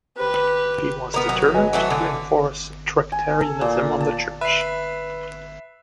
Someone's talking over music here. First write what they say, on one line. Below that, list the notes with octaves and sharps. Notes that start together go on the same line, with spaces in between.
He was determined to enforce Tractarianism on the Church.
G4 B4
B3 A#4
F#3
B4 D#5 G#5
E3 F#3 A3
D3
G#5
A4
A#2
A5
B4 E5 C7